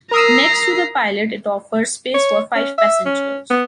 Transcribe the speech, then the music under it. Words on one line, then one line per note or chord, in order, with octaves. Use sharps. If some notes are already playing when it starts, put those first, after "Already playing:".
Next to the pilot it offers space for five passengers.
A#4 A#5 D#6 E6 C7
C#5
C#4
E5
C#4
B3